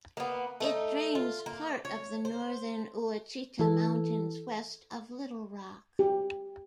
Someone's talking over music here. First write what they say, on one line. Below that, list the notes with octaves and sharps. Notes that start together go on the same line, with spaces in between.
It drains part of the northern Ouachita Mountains west of Little Rock.
A#3 B3
A3 D#4
F4
A#3
C#5
C5
E3 A4
G4